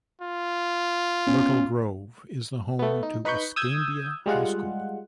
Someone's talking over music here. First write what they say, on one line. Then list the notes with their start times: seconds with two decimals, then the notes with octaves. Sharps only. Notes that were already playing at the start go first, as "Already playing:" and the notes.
Myrtle Grove is the home to Escambia High School.
0.22 F4
1.27 B3 C#4
2.79 A3 B3
3.03 D#4
3.25 D#4 B4 B5 C#6 G6
3.56 D#6 E6 G6 G#6
4.26 G3 G#3 F4 F#5